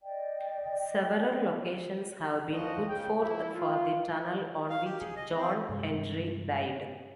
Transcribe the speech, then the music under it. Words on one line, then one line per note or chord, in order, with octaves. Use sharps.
Several locations have been put forth for the tunnel on which John Henry died.
D5 D#5 G5
D2 A#2 D#3 F3 F#4 D#5
C#3 G5
E3 F3 E4
F4
F5
G4
G#4
D#5
C4
G2 C3 G#3